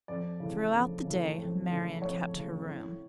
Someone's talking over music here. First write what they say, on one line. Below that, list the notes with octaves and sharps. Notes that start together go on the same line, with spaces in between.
Throughout the day Marian kept her room.
F2 D5
C#3 E3 A3
F2
C#3 E3 A3
F2
C#3 E3 A3
F2 C#5
C#3 E3 A3
A2